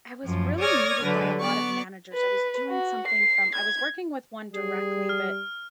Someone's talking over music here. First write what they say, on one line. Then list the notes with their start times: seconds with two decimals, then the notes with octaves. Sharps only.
I was really needed by a lot of managers. I was doing something from I was working with one directly, but,
0.25 F#2 F3
0.58 C#5 D5 D#6 F6 G#6 A#6
1.03 D3 F#3 B4
1.40 B3 D5 C#6
2.14 B4
2.69 F#4
3.07 C7
3.55 G#6
4.54 G3 G#4
5.09 F6